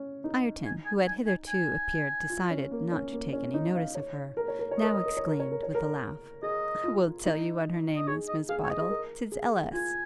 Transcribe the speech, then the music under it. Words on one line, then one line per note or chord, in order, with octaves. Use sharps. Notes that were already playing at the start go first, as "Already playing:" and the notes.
Ireton, who had hitherto appeared decided not to take any notice of her, now exclaimed, with a laugh, 'I will tell you what her name is, Miss Bydel; 'tis L.S.'
Already playing: C#4
D#4
G#5
G#5
G#5
G#5
G#5
F4
C#4
A#3
C#4
A#3
C#4
D#4
F5
C#5
A#4
C#5
A#4
C#5
A#4 D#5
C#5
A#4
C#5
A#4
C#5
A#4
C#5
A#4
G#4 D#5
F4
D#4
D#5
G#4 C#5
D#5
G#4 F5
C#5
D#5
G#4
A#4
G#4
F4 G#5